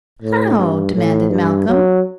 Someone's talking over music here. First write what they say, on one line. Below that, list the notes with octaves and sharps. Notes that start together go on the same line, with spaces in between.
"How?" demanded Malcolm.
A2
G2
A2
G2
F#3